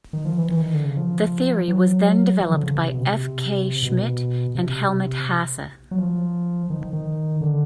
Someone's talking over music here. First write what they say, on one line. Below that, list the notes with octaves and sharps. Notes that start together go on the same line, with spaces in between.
The theory was then developed by F. K. Schmidt and Helmut Hasse.
D#3
F3
E3
E3
D#3
D3
C#3
F3
F#3
F3
D3
C#3
C#3
C3
B2
C3
B2
C3
F#3
F3
D#3
D#3
D#3
D3